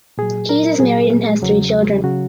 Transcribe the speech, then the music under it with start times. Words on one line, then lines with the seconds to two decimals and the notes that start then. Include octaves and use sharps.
Keys is married and has three children.
0.18 A#2 F#3 G#4
0.49 A#4
0.79 A#2 F#3 G#4
1.42 E2 C#3 F#3
2.04 C#3 F#3 F#4